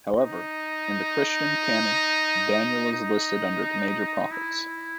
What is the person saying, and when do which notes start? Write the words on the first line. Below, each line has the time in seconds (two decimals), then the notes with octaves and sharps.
However, in the Christian canon Daniel is listed under the Major Prophets.
0.15 D#4
2.92 D#4
4.31 E4